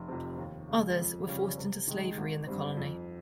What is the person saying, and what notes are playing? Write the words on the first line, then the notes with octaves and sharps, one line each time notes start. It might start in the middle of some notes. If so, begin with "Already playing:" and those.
Others were forced into slavery in the colony.
Already playing: F1
F2 C3
D#2
C#3 G#3
F2
C#3 G3 C#4
C3
D#3 G#3
G#1
G2 G3 C4
F2